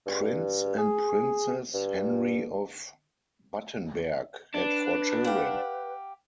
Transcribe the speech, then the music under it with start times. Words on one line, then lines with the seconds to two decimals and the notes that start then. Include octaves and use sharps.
Prince and Princess Henry of Battenberg had four children.
0.06 G2
0.79 G#4
1.74 G2
4.55 D4 B4
5.24 G4 F5 F#5